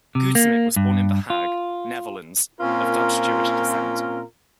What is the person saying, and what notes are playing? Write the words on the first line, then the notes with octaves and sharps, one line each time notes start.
Goudsmit was born in The Hague, Netherlands, of Dutch Jewish descent.
C3
A#3
G2
F4
A#2 C4 C#4 F4 A#4